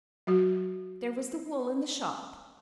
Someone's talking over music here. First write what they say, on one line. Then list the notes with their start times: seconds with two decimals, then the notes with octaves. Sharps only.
There was the wool in the shop.
0.27 F#3 F#4